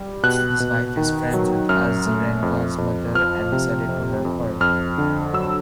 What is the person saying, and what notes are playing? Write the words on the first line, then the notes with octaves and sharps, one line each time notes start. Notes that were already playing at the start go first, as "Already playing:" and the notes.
His wife is friends with Azarenka's mother and decided to help her.
Already playing: G3
B2 F#6
B2
D#3
F#3
F#2 F6
A3
F2
F2
F3 F6
C3
F2
F2
F2 F6
D3
F#3 E6